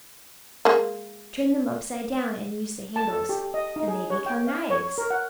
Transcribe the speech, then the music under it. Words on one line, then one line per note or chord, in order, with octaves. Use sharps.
"Turn them upside down, and use the handle, and they become knives."
G#3 A#3
A5
A4
G4
D#5
D#4
G#4
C#5
G5
F5
C#5
A#4
F#5